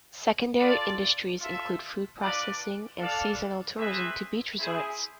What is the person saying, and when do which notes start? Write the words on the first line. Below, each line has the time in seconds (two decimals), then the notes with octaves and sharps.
Secondary industries include food processing, and seasonal tourism to beach resorts.
0.60 F4 A4 D5
1.40 F4 A4 E5
2.19 D4 F4 B4 D5
2.99 D4 A4 D5 F5
3.78 C4 G#4 B4 E5
4.58 C4 E4 G#4